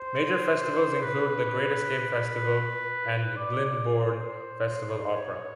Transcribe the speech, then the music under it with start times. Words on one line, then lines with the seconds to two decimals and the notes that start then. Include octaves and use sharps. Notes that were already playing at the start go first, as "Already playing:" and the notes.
Major festivals include The Great Escape Festival and Glyndebourne Festival Opera.
Already playing: C5
1.01 B4
3.36 D5
3.95 C5
5.13 C#5